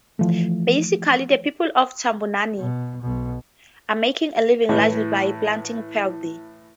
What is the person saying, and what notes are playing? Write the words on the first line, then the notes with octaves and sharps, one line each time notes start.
Basically the people of Tambunan are making a living largely by planting paddy.
E3 F3 A3
B2
B1 B2
A2 E3